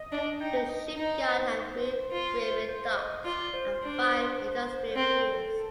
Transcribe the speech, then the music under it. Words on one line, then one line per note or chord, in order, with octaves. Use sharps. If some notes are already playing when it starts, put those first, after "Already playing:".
The shipyard had three graving docks, and five industrial piers.
Already playing: D#5
D4
D#4 G5
D#5
D#4 D#5
C5
F4
C5
D#5
F4 D5
C5
D4
C5
C4 A#4
A4